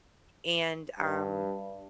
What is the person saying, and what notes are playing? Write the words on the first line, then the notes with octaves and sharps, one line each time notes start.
and, um,
G2